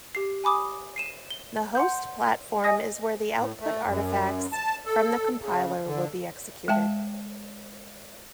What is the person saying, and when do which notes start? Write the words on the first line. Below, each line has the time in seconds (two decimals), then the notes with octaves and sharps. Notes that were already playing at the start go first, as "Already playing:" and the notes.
The "host platform" is where the output artifacts from the compiler will be executed.
0.15 G4 C7
0.44 G#5 B5 D6 D#6
0.96 C7 D#7 E7
1.30 G7
1.75 F#5 C6 G6
2.64 D#5 G#5 D#6 A#6
3.38 A2
3.61 A3
3.87 F#2
4.52 A5
4.86 A4
5.41 C#3
5.86 D3
6.68 G#3 E5 G5 A5